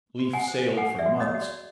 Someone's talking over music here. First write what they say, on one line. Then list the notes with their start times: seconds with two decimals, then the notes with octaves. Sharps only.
Leif sailed for months.
0.19 F#4
0.33 F#5 G#5
0.48 C5
0.77 A4 F#5 G#5
0.99 D5 E5
1.06 F#4
1.20 C#5 D#5
1.35 F#4
1.42 D5